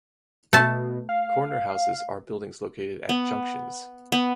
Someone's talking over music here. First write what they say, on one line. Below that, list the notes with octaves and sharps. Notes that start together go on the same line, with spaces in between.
Corner houses are buildings located at junctions.
B2 A3 A5
F5
B3
B3